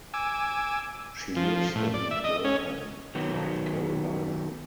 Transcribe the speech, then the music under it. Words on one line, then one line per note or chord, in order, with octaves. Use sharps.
She lives in Durham, North Carolina.
G#5 D6 E6
F3
A2
D5
E5
D#5
C#4
D#3 F#3 B3